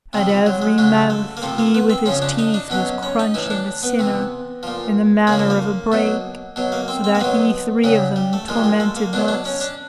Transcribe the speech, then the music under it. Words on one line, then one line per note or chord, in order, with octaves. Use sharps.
At every mouth he with his teeth was crunching A sinner, in the manner of a brake, So that he three of them tormented thus.
C3 F3 G3
G3
F#3
G#3
C#3 F#3 G#3
A3
A#3
C3 F3 A3
A#3
B3
C4
C#3 F3 C#4
D4
D#4
D4
B2 F#3 C#4
C#4
D#4
A2 E3 E4
D4
B3
C3 E3
A#2 F3
C#3 F3 A#3
A3
A#3
B2 F#3
B2 F#3
A#3
C4
C4
A#3
B2 F#3 B3
C#3 F#3 G3
G3
A3
A#2 F3 G#3
G3
G#3
A3
A#3
B2 F#3 D4
D4
C#4
D4